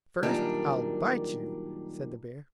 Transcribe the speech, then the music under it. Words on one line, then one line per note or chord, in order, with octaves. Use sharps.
"First, I'll bite you," said the bear.
F#2 A#2 D#3 G3 D4 G4